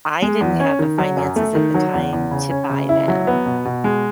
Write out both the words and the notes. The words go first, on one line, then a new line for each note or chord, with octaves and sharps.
I didn't have the finances at the time to buy them,
G#3
E2
C#4
D#3
F#3
F#2
A3
D#3
F#3
E2
E2
C#3
C#4
C#3
E4
F#3
B3
B2
B2
G#3